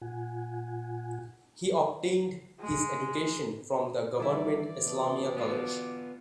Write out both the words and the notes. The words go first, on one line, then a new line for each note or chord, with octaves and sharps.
He obtained his education from the Government Islamia College.
A#2 F4 F#5 G#5
G#3
G2 E3 E4 D5
D5
B2
B3 F4